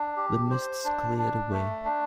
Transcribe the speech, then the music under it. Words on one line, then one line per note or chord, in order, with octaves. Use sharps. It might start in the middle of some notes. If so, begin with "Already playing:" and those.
The mists cleared away.
Already playing: D4
G4
C5
D4
D4
A3
D4